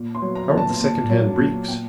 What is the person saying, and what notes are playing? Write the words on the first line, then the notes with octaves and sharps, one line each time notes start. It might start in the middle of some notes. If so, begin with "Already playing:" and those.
How are the secondhand breeks?
Already playing: A#2
C6
F#3
A#5
A#2
A5
A#2
F#3
A#2
A#2 G5